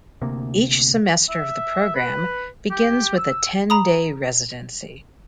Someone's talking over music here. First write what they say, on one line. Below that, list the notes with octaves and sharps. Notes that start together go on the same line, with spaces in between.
Each semester of the program begins with a ten-day residency.
D2 C3 A#3
E5
B4
G4
E6
A#5 B5 D#6